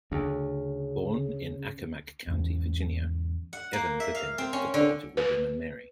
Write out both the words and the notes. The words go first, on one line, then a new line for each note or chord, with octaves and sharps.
Born in Accomack County, Virginia, Evans attended the College of William and Mary.
D2 C#3
E2 G#2 E3 C#4
F#5
A#3
E5
F5
C4
C#4
D3
B4